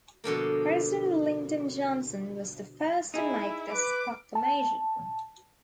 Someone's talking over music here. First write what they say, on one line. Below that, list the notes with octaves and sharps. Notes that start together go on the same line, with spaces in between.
President Lyndon Johnson was the first to make this proclamation.
B2 D3 F3 A#3
D#4 E4 G#4
B4 D6
A5